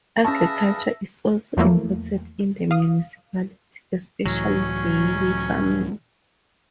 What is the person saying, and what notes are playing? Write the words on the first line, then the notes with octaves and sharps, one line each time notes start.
Agriculture is also important in the municipality, especially dairy farming.
C#4 G#4 B4 E5 F5 A5 C#6 A#6
E2 F3 F#3 A3 A#3 E4
F5 D#6
C#2 A2 E3 F#3 C#4